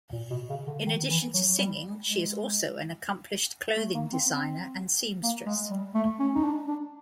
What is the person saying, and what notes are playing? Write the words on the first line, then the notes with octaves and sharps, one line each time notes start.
In addition to singing, she is also an accomplished clothing designer and seamstress.
A#2
B2
C#3
D3
D#3
E3
F#3
G3
G#3
A3
A#3
C4
C4
A#3
G#3
G3
A3
C#4
D#4
D4
D4